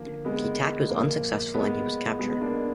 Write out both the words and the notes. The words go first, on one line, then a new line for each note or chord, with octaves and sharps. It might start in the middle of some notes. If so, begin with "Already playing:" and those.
The attack was unsuccessful and he was captured.
Already playing: D#2 D3 F3 A#3
G#3 B3
A#1 A#2 F3 A#3
G#3 B3
B1 B2 G#3 B3
A#3 D4